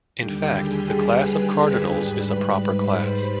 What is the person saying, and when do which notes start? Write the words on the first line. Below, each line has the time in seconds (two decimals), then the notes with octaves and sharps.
In fact, the class of cardinals is a proper class.
0.16 D#2 D3 G3 G4 G5
0.60 G#4 G#5
1.05 B4 B5
1.48 B4 B5
1.93 G#2 G3
2.82 C5